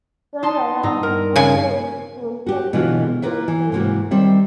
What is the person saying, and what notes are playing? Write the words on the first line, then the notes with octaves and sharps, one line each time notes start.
Sadayandi Temple is situated in the hill caves.
D#4 A5 C6
G2 D#4 A#5
A#4
C#3 G#5
F#4 G4
B2 D3 E3 B3 F4 F#4
E4 F4 G4 A#4 B4 E5
E3
G#2 C3 E3 A#3 F#4
D#3 G3 C4 E5